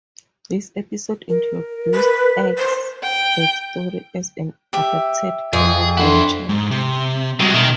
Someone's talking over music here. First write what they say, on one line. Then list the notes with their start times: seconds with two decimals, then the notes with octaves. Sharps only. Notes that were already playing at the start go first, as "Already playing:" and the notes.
This episode introduced Ike's backstory as an adopted Canadian child.
1.29 A#4
1.94 B4
2.58 C5
3.03 G5
4.73 G4 E5
5.53 F2 G#4
5.97 D4 E4 A4 C5 F#5
6.49 G#2
6.71 C3
7.40 C3 G3 G#3 F#4
7.54 B2 D#3 E5